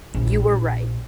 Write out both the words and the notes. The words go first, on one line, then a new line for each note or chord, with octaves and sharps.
You were right.
A#1 D4